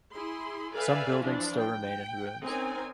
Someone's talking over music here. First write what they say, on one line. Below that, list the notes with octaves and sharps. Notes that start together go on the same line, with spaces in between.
Some buildings still remain in ruins.
E4 G#4 C6
A4 B4 D5 E5 F5 G#5
E3 F3 D4
G5
C4 C#4 D#4 A#4 G#5